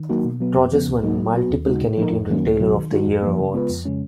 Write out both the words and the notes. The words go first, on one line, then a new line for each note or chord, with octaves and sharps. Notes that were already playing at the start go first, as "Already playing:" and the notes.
Rogers won multiple "Canadian Retailer of the Year" awards.
Already playing: D#3
F#3 A#3 D#4 F#4
B2
F#3 B3
F2
C#3 F3 B3
C#2
B2 F#3 A#3 D#4
F#3
B3 F#4
D#2
C#3 G#3 D#4 F#4
A#2
F3 A#3 D#4 A#4
F2
D#3 F#3 A#3 C#4
C#2
B2 F#3
D#3
G#3 D#4 F#4
F2
F3 A#3
C#3
G#3 B3 F4 B4
F2
C#3 G#3 C#4